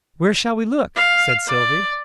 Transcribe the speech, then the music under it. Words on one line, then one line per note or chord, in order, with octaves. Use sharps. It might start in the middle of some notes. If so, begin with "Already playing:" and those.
"Where shall we look?" said Sylvie.
F5
D5